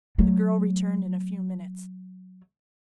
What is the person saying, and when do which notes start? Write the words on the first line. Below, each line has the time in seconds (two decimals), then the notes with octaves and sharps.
The girl returned in a few minutes.
0.18 F#3 A3